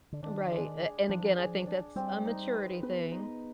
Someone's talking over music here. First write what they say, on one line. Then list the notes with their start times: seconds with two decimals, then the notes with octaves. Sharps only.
Right, a and again, I think that's a maturity thing.
0.12 D3
0.23 D#3 D4
0.52 G#3
0.80 G#4
1.09 F3 D4
1.38 G#4
1.67 D4
1.96 G3 C4
2.25 D#4
2.54 B4
2.83 B3 B4
3.12 D#4